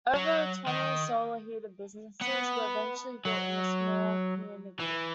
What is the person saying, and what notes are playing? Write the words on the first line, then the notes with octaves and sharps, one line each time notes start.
Over twenty solar heated businesses were eventually built in the small community.
F#3
D#3
B3
F#3
E3